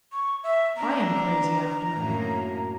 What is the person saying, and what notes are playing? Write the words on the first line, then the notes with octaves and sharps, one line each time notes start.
I am crazy after money.
C#6
E5
B3 D4 A#5
F#2 A2 A#3